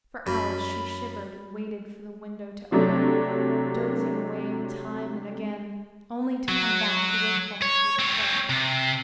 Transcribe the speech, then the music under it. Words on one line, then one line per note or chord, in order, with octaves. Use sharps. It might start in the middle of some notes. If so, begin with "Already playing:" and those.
For hours she shivered and waited for the window to open, dozing away time and again only to come back to wakefulness with a start.
F#2 B5
C3 F#3 A3 D4
F#3
C#5
C4 C#5
C3